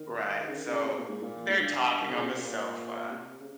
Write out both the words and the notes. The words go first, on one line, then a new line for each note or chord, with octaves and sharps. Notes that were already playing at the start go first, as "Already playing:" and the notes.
Right. So, they're talking on the sofa
Already playing: D#3
C#3
D#3
C#3
C3
A#2
G#2
A#2
G#2
G2
D#3
C#3
C3
A#2
C3
C#3